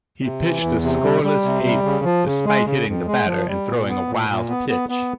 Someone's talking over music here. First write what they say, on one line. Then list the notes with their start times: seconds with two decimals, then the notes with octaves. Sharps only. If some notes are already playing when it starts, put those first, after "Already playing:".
He pitched a scoreless eighth despite hitting a batter and throwing a wild pitch.
0.22 C3
0.42 E3
0.62 E2
0.83 C3
1.03 G3
1.23 G3
1.44 C3
1.65 G3
1.85 C#3
2.05 F3
2.25 C#3
2.46 G#3
2.66 C#3
2.86 F2
3.07 G#3
3.27 F3
3.48 G3
3.67 A#2
3.88 B3
4.09 A#2
4.29 A#2
4.49 B3
4.69 B3
4.89 B3